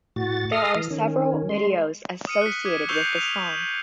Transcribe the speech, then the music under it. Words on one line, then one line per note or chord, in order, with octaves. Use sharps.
There are several videos associated with the song.
A2 F#4 A6
A4 D#5 F5 D#6 F6
E3
D#3 C#4
G#3 C6
D#6 F6 C#7 D#7
F#6 B6
D6 D#6 G#6 B6 D#7
C#6 E6 G6 C7 F7 G7
F6 F7